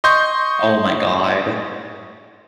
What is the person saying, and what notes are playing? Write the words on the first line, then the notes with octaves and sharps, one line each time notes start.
Oh my god.
D#5 C6 C#6 G6